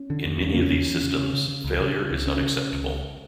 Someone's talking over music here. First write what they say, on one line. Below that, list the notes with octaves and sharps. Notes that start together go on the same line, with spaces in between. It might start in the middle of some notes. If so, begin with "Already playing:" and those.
In many of these systems, failure is unacceptable.
Already playing: C#4
D3
F2
E2 C#4
A#3
C#3
C#4
E2
E2
C#3
C#3
C#3
C#3
C#2
C#3
C#3
C#2
C#2 C#4
C#3
C#3
C#2
C#2